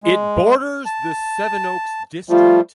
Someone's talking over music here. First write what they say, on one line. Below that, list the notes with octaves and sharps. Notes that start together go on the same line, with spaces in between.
It borders the Sevenoaks District.
G#3
A5
F3 G3 A3 F4